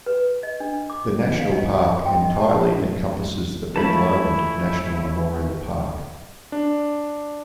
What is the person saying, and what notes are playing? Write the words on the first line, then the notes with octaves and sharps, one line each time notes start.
The national park entirely encompasses the Ben Lomond National Memorial Park.
B4
D#5
D4
D6
F5
D#5
C6
G5
D#5
A5
E3 G#3 A3 C#4 E4 F4 A5 B5
D4